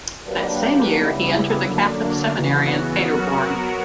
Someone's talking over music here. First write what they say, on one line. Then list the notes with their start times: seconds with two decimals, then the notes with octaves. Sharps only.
That same year, he entered the Catholic seminary in Paderborn.
0.25 F#3 A#3 D4 G4 B4
0.94 C#3 G3 B3 E4
1.65 D3 F#3 A#3 D4
2.34 C#3 E3 B3 F#4
3.05 F#3 B3 F#4 A#4